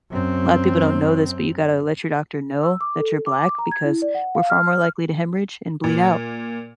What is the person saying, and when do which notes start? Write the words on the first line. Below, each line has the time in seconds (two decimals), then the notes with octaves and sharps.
a lot of people don't know this, but you gotta let your doctor know that you're Black, because we're far more likely to hemorrhage and bleed out.
0.10 F#2 C4
2.63 E6
2.81 D6
2.97 A4
3.26 D6
3.43 D6
3.58 A#5
3.71 G#6
3.85 E4
4.02 D5
4.15 F#5
4.35 F5
4.50 F6
5.84 A#2